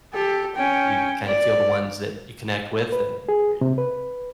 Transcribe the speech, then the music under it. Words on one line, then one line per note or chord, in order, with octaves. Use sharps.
you kinda feel the ones that you connect with that or you
G4 A4
C#4 G5
D5
B4
G#4
C3
B4